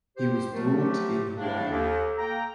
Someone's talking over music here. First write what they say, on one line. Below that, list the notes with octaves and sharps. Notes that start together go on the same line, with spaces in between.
He was brought in Hawaii.
G4 C5
F3 F#3 A3 A#4
G4
A2 A3 D4 F5
D#2 A#3 A4
A#3 G5 A#5